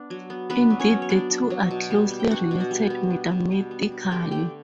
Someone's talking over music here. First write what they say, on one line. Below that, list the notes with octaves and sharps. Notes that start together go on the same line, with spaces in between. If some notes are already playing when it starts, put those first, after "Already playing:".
Indeed the two are closely related mathematically.
Already playing: B3 D4
F#3
B3
B3 D4 B4
F#3
C#4 C#5
F#3
C#5
B3 D4 D5
D4
F#3
B2
G3
B3
G5
D4 F#4 F#5
B2
F#4 F#5
G3
B3
D4
B2
G3
B3
D4
D3 G4 G5
A3 G4 G5